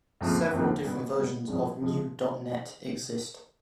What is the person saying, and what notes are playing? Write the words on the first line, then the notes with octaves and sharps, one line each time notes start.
Several different versions of NewDotNet exist.
D#2 C#3 F3 A3 C4
D#2 C#3 F3 A3 C4
B2 G3 B3
B2 G3 B3
C2 C3 F3 G#3
C3 F3 G#3